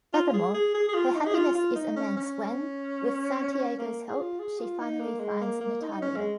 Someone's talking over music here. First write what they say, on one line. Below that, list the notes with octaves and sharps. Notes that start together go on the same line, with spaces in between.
Furthermore, her happiness is immense when, with Santiago's help, she finally finds Natalia.
F4
F4
G#4
G#4
G#4
G#4
F4
D#4
G#4
F4
F4
D#4
C#4
C#4
C#4
A#3
G#4
F4
G#4
F4
D#4
A#3
G#3
A#3
A#3
D#4
D#4
C#4
G#3